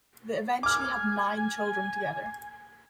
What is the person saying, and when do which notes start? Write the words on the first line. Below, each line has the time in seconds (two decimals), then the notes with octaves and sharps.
They eventually had nine children together.
0.63 G#5 D6 F6